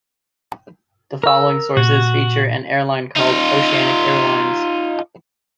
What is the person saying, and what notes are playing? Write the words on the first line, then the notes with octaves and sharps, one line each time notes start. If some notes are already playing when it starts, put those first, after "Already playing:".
The following sources feature an airline called Oceanic Airlines.
A#4 E6
A#2 F#4
D#4 F4